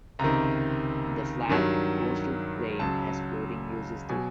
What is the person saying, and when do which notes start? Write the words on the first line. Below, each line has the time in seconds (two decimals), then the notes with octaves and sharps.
The flat coastal plain had sporting uses too.
0.19 C#2 C3 D#3 A#5
1.49 G2 D#3 F#3
2.79 C#2 C#3 F#3 A5
4.09 B2 F#3 G#5